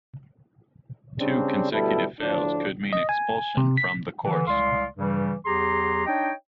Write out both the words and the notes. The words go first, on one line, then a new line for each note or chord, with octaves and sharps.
Two consecutive fails could mean expulsion from the course.
C#3 G3 C4 D4
D2 B2 G3 E4 A4
D2 A2 F3 D4
D#5
G#5
C3
B6
D3 E3
C2 G#3 D5 F5 C6
G2 C#3 E3 G3
E2 F#3 G4 G#4 A#5 C6
D4 D#4 C#5 D#5 G5